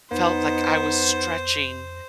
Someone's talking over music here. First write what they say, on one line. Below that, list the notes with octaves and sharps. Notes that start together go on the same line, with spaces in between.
felt like I was stretching
F2 B3 D#4 C5